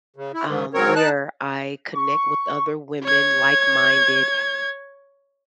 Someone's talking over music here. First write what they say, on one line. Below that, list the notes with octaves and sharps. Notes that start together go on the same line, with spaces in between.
um, where I connect with other women, like-minded,
C#3
E4
G#2 D#3
G#2 F#3 C4 A#4 C#5
D#4 A5 F#6
C#6
C#5 G#6